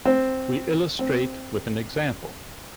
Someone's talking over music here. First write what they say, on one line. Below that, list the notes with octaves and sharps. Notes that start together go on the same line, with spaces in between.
We illustrate with an example.
C4
C4